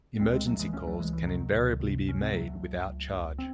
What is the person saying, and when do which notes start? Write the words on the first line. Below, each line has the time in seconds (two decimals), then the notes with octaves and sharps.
Emergency calls can invariably be made without charge.
0.19 C#2 G#3 C4
0.33 G#3 C4
0.46 C#2 F#3 A3
0.59 E3 G#3
0.72 C#2 A3 C#4
0.87 F#3 A3
0.99 C#2 E3 G#3
1.13 E3
1.26 C3 D#3 F#3
1.54 C#2
1.80 C3
2.06 C#2 C#4
2.21 C4
2.32 C#2 F#3 A3
2.60 C#2
2.86 C#2
3.12 C#2
3.38 C4